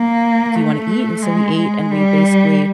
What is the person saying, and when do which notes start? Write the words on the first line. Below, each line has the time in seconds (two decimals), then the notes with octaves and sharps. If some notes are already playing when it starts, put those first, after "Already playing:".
do you wanna eat?" And so we ate, and we basically
Already playing: A#3
0.55 A3
1.22 G#3
1.57 G#3
1.91 G3